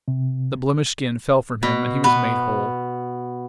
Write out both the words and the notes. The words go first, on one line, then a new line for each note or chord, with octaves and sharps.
The blemished skin fell from him, and he was made whole.
C3
B2
B3